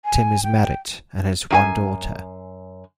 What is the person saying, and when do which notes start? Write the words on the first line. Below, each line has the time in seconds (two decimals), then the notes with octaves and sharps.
Timm is married and has one daughter.
0.05 G#5
0.44 G5
1.50 F#2 F#4 G#5